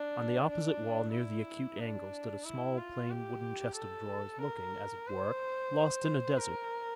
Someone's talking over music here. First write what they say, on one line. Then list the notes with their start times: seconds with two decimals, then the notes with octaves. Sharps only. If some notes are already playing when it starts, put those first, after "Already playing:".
On the opposite wall near the acute angle stood a small plain wooden chest of drawers looking, as it were, lost in a desert.
Already playing: D4
0.49 D4
1.14 E4
1.80 D4
2.45 E4
2.78 F4
3.10 G4
3.76 A4
4.42 A#4
5.07 C5
6.38 A#4